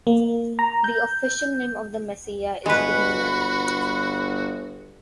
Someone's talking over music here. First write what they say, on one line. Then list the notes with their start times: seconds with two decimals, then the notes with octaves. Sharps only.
The official name of the Messiah is Redeemer.
0.07 A#3
0.59 A#5
0.84 G6
2.66 G1 G#3 F#4 B4 B5